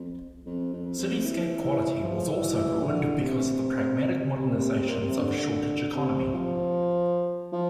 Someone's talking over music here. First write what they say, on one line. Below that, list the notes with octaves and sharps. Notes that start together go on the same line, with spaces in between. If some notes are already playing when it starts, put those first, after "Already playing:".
Cityscape quality was also ruined because of the pragmatic modernizations of a shortage-economy.
Already playing: F2
F2
F2
F2
E3
E3
F3
E3
E3
D3
C3
C3
A#2
C3
C3
A#2
C3
D3
C3
F3
F3